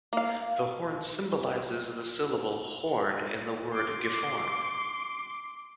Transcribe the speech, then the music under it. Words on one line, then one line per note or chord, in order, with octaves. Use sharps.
The horn symbolises the syllable "horn" in the word Gifhorn.
A#3 F5
C6 D6